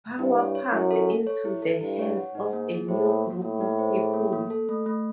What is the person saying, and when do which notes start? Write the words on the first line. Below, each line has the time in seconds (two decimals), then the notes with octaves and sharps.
Power passed into the hands of a new group of people.
0.19 G2 E4
0.38 C#5
0.55 C#5
0.72 F#2 E4
0.91 A4
1.09 A4
1.27 C#5
1.45 E4
1.62 A4
1.81 G2 E4
1.99 C#5
2.17 F#5
2.34 G#2 D#4
2.53 A#3
2.71 G#4
2.88 A2 C5
3.06 A#3
3.24 A#3
3.42 A2 A#3
3.61 D#4
3.79 C5
3.97 G#4
4.14 A#3
4.33 A#3
4.50 A4
4.69 A3
4.86 A3